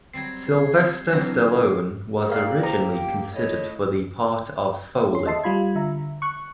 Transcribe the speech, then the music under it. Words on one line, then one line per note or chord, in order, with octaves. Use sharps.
Sylvester Stallone was originally considered for the part of Foley.
F#3 G3 C4 G#6 C7
D3 E3 F#3 C4 C#4 F4 A#4 A#6
A#3 G4 A#4 D5 F5
C5 A#5
G5
A3 E4 C#5 D#5
C#4 C6
D#5 E5 A5 C6 C7
G3 F4 B5 G#6
D3 E5 A#5
C#6 F#6